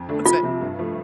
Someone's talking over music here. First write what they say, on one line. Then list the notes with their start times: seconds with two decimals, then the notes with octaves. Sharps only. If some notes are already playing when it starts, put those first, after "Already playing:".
That's it.
Already playing: F2
0.09 D3 A3 D4
0.25 C2 F4
0.43 C3 F3
0.61 G2
0.79 F3 A3